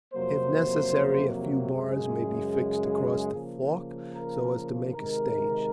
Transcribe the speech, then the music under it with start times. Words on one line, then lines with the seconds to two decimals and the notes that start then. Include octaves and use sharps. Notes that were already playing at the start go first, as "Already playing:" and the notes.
If necessary, a few bars may be fixed across the fork so as to make a stage.
0.13 F2 C3 F#3 A#3 C5
1.73 F#2 C#3 G#3 G#4
3.34 C#3 F3 A#3
4.14 A#4
4.93 C3 D#3 G#3 A#4